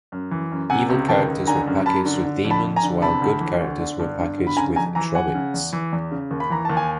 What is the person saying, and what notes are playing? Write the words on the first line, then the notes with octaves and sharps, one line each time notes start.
Evil characters were packaged with demons while good characters were packaged with Trobbits.
F#2
E3
F#2
C3 F#5 G#5
C#2
D#3 G5 A5
C#2
D3 G#5 A#5
F#2
F#2 A5 B5
D3
D3
F2
A5 B5
F2
G#5 A#5
D3
C3 A5 B5
D2
E3
D2
D3
G2
G2
D3
B5
C#3 G#5 A#5
F2 G#5 A#5
E3 G#5 A#5
F2 F#5 G#5
C#3
E2
E3
E2
C#3
D#2
B5
E3 A#5
D#2 A5
G#5